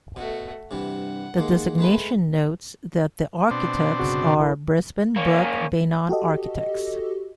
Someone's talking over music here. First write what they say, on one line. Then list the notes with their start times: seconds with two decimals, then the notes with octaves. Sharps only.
The designation notes that the architects are Brisbin Brook Beynon Architects.
0.16 B2 A3 F#4
0.71 G2 C3 E3 F#5
1.38 D#2 G#3 A#3
1.78 G#3 A3 B4
3.51 B2 C4 D4
3.99 G1 C#3 F#4
4.37 A1 E4 A#4
5.16 A#3 C#4
6.09 F#4 G4 A4 D#5